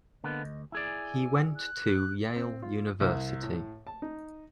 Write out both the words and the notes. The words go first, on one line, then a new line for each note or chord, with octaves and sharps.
He went to Yale University.
D3 A#3 B3 D#5
D2
E4 G#4 D5 G#5
F#6
C4
F4
C2
A2
A5
D#4